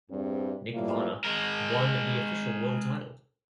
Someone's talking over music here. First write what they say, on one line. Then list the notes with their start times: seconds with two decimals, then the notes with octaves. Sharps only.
Nick Varner won the "official" world title.
0.10 E2 G2 C4
0.74 A2 E3 G3 A#3 F4 D5
1.24 G#3 A#4